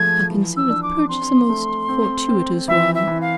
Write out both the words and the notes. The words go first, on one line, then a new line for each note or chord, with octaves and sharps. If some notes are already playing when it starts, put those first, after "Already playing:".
I consider the purchase a most fortuitous one.
Already playing: F3 G#3 A3 G#6
E3
E6
D4
D6
C4 C6
A3
C4
C4
E3 E5
E5
E3
F5